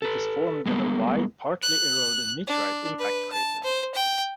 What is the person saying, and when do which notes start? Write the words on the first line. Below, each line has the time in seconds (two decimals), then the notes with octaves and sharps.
It is formed in a wide, partly eroded meteorite impact crater.
0.02 A4 B4
0.66 G3 G#3 A#3 B3
1.62 F#6
2.47 D4
2.99 B4
3.33 A5
3.64 C5
3.95 G5